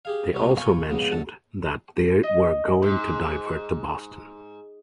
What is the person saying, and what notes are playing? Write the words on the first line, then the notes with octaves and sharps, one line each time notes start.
They also mentioned that they were going to divert to Boston.
G4 G#4 F5
C2 C#4 D#4 F#4 G4 B5
F4 G5 G#5 C#6
F2 G#2 C#3 G#3 A#3 B3
F#2 D3 A4 F#5 A5
D#5
G#2